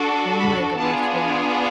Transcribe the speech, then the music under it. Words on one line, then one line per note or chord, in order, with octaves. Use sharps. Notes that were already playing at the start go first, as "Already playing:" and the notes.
Oh my gosh, yeah.
Already playing: D4 F#4 A4
B5
B3 D4 F4 G#4 A5